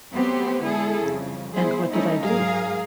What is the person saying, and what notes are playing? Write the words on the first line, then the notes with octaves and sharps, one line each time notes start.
And what did I do?
F#3 A3 B3 C4 G4 C5
D3 G#3 E4 G#4 A4
F2 C#3 G3
G3 B3 E4 G#4 C5
G3 A3 C#4 D#4 E4
G#2 F#3 G#4 A#4 F5